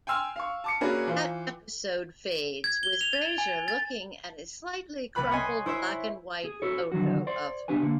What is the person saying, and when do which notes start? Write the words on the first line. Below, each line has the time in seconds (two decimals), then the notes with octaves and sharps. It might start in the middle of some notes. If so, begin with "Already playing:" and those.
That episode fades with Fraser looking at a slightly crumpled black-and-white photo of her.
0.07 G5 G#5 C6 E6 F6
0.36 F5 C#6
0.64 A5 D6 C#7
0.81 A#3 C#4 F#4 G#4 B4 D5
1.07 E3 F4 C5
2.64 G#6
2.83 G7
3.01 F7
3.13 A6
3.38 G#5
3.68 A6
5.15 C2 B4 B5 F#6
5.31 C#5 D#5 G#5 C6
5.66 E4 C5 C#5 E5
6.45 G#4
6.62 F#4 A4 B4 C#5
6.92 D3 D#3 F#3 G3 F#4
7.27 C5 D5 C6
7.68 C2 B3 D4 G4 B4 G#5
7.83 D3 A#3